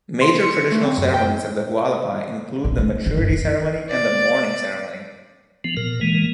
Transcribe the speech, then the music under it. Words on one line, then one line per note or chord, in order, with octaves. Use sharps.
Major traditional ceremonies of the Hualapai include the "Maturity" ceremony and the "Mourning" ceremony.
C6
C#7
A3
C4
F#2
G5
A#1
A3
D#3
F#2
F4
D5
F3 B3
A#2 A#4
E3 G#3 A#3